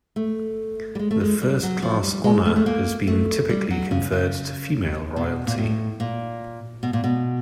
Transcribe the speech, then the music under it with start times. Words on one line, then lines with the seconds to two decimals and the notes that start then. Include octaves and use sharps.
The first class honour has been typically conferred to female royalty.
0.16 A3
0.95 G3
0.99 G#3
1.11 A3
1.21 G#3
1.42 G3
1.63 F#3
1.82 F3
2.04 G3
2.24 G#3
2.45 A3
2.56 A3
2.66 A#3
3.07 A3
3.49 G3
3.70 F#3
3.91 C#3
4.12 C#3
5.16 B2
5.47 A#2
5.58 A2
6.00 A#2
6.83 B2
6.93 A#2
7.04 B2